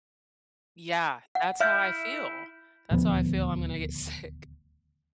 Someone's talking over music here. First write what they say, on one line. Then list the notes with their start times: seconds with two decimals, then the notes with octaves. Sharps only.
Yeah, that's how I feel. That's how I feel I'm gonna get sick.
1.35 F#5
1.60 E4 E5 F6 G6
2.91 D#1 D2 F3 B3